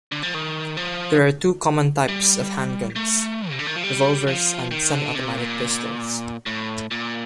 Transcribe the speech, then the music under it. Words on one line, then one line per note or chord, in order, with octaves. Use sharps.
There are two common types of handguns: revolvers and semi-automatic pistols.
D3
F3
D#3
F3
G3
A3
C3
D3
D#3
F3
G3
F3
D#3
D3
C3
A#2
A2
A#2